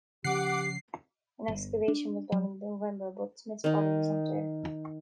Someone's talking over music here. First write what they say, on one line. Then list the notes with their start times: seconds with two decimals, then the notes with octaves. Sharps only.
An excavation was done in November, but Smith's body was not there.
0.24 C#3 F3 C#4 G4 F#5 D6 C7
1.48 G1
1.88 D4
2.32 F#3
3.64 D#3 D#4